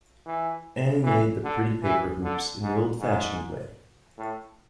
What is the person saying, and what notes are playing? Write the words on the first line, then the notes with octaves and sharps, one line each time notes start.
Annie made the pretty paper hoops in the old-fashioned way.
E3
E3
D3
E3
D3
G#2
G#2
A2